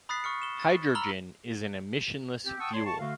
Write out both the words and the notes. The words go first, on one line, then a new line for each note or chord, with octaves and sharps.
Hydrogen is an emissionless fuel.
B5 D#6 F#6 A6 B6 C7
C#6 F6 C#7
E7 G7
A6
A#5 B5 E6 F6 F#7 G7
C4 G4
F#5 G5 A5 C#6 D#6 E6
C#5 D5 A5 C6
A5 C#6
D3 A3 F#4 F5